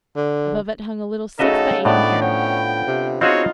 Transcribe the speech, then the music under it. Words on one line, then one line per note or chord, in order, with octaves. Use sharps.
Above it hung a little six-by-eight mirror.
D3
C#3 F#3 A3 D#4 F#4 A4 D#5 E5
A2 D3 F3 B3 D#4 D5
C#4 G5
C3
C4 D#4 F4 F#4 G#4 C#5